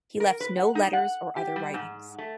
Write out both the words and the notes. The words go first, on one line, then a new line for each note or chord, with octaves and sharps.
He left no letters or other writings.
A#4
B4
F#5
D#4
F#5
G4
G3
G#2
A3